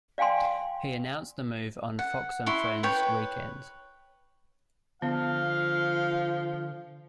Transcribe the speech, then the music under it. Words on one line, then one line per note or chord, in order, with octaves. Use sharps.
He announced the move on "Fox and Friends Weekend".
D5 F5 G5 G#5 C6
F#5
E4 C6 C#6
B4 C#5 G5
D3 F3 B3 F5